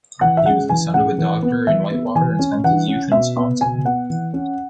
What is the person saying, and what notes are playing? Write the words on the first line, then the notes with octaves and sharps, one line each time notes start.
He was the son of a doctor in Whitewater and spent his youth in Wisconsin.
E3 F#5
E5
G#3 C#4 F#5
E3 G#5
G#3 C#4 F#5
E3
B3
E3 E5
B3
E3 G#5
C#4
E3 F#5
C#4
B2 E5
B3
B2 G#5
B3 F#5
E3
C#4